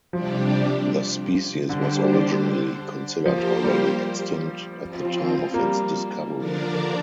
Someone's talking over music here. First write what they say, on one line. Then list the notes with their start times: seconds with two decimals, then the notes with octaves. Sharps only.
The species was originally considered already extinct at the time of its discovery.
0.13 C3 F3 G3 D4 G4
1.69 D3 G3 D4 G4 C5
3.25 F3 A#3 G4 C5
3.64 G3
4.81 F3 C4 F4
5.54 A#3
5.60 G3
6.38 D3 F3 D4 A#4 D5